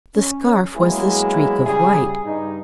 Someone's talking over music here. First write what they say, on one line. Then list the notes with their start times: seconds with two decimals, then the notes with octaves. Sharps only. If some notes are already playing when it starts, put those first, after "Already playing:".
The scarf was the streak of white.
0.14 C#4
0.75 F#3 G#3 A#3 B3 E4 G#4
1.65 C#3 G3 G#4
2.25 G2 D#4